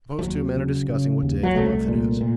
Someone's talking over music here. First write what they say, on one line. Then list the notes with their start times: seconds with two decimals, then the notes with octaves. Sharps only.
Suppose two men are discussing what day of the month it is.
0.19 F3
0.23 D#2 F#3
0.56 C#3
0.89 C#3
1.22 D#2
1.43 F#3
1.55 C2 A3
1.88 A#2
2.21 A#2